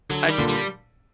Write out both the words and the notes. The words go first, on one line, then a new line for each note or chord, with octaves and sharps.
I do too.
D3 F#3
D#3 G3
A#2 D3
G3